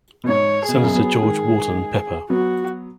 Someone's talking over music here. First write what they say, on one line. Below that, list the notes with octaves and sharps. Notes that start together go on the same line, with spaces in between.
Senator George Wharton Pepper.
B2
G#2 C#5
B2 G#4
C#3
F#2 B2
F#3 B3
D#3 G#3
F#3 B3 F#4